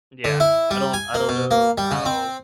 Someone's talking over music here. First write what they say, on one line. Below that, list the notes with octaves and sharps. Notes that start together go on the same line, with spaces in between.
Yeah, I don't I don't know how
D3
E4
G3
G#5
A#3
B2
A#3
G3
C#3
C4